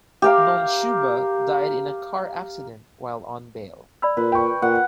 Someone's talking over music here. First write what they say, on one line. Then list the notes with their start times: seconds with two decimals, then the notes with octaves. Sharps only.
Nonxuba died in a car accident while on bail.
0.22 G4 A#4 F5
4.02 D5 B5 E6
4.17 A#2 B4
4.32 G5 C#6
4.62 A#2 F#5